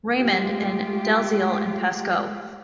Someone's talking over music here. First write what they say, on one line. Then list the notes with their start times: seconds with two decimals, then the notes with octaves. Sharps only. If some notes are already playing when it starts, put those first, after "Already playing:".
Raymond in "Dalziel and Pascoe".
0.21 G#3 A3 F4 G4